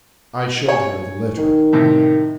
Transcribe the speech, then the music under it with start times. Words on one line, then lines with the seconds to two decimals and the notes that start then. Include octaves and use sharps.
'I showed her the letter.'
0.68 C#5 G#5
1.38 D#3
1.73 A2 C3